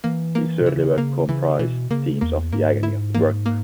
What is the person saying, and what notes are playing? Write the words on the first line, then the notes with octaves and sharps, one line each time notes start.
His early work comprised themes of the agony of work.
E3 A#3
A#3
B2
C#3 E3
C#3 A#3
C#3 E3
B2 E3
C#3 A#3
E2 A#3
G#2 A#3
E4
A#3
A#3